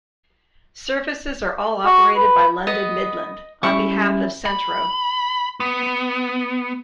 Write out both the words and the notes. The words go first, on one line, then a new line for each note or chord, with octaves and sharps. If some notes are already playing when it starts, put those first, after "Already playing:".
Services are all operated by London Midland on behalf of Centro.
F#4
B4
B3 D#5
G3 C#4 E4 C#6
B5
B3